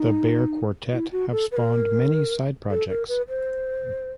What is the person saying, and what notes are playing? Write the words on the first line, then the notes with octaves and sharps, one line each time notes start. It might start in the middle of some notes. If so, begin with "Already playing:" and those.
The Bear Quartet have spawned many side projects.
Already playing: D#4
E4
F#4
A4
B4
A#4
A4
A#4
B4
C5